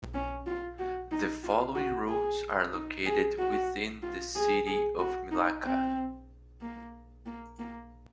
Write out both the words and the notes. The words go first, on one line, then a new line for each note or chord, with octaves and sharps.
The following routes are located within the city of Milaca.
C#4
F4
F#4
D#4
F4
F#4
G#4
D#4
G#4
F#4
F4
G#4
G#4
F#4
D#4
C4
A#3
A#3
A#3